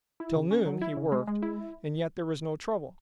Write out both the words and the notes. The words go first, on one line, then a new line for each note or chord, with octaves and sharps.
Till noon he worked and yet there was no trouble.
E4
C#3
C#4
F#3
E4
C#3
G#3
G#3
E4